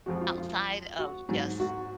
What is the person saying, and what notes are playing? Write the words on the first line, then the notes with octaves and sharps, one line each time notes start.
outside of just
F2 F3 G#3 F#4
F4
F4
F#4
G#2 F#3
F#4